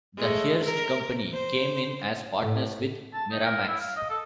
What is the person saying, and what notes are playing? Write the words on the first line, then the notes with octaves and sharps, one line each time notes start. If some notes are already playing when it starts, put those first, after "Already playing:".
The Hearst company came in as partners with Miramax.
G#3 A3
A#4
C5
A2
A5
D#4
A#4
E4
F5
D#5
A4